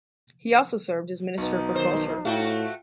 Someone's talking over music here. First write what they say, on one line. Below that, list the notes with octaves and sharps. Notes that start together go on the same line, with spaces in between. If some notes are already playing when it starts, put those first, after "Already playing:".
He also served as Minister for Culture.
B1 B3 D#4
D#3 C5
A2 A3 F4 F#4 G5